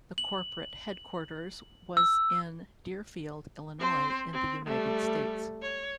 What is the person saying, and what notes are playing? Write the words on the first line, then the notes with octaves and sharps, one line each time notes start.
The corporate headquarters was in Deerfield, Illinois in the United States.
F#7
E6
C4 C5
C4
G3 A3
C#5